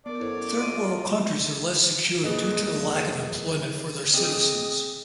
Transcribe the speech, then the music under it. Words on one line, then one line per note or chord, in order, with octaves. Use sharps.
Third world countries are less secure due to lack of employment for their citizens.
B3 A#4 D5
F#2 E4 A4 C5 C#5
G#3 F4 D6 D7 D#7
F2 A#2 G#4 B4 D#5
C4 G#4 D#5